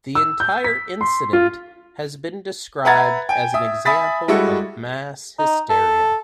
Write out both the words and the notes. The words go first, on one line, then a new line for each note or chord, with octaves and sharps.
The entire incident has been described as an example of mass hysteria.
E6
G6
B6
C6
F4
B4 E5 F#5 A#5 G#6 A6
G5 G#5
E5 D#6
E5 G#5 B5 D#6 A6 B6
G3 G#3 E4 F#4 A4
D#4
A4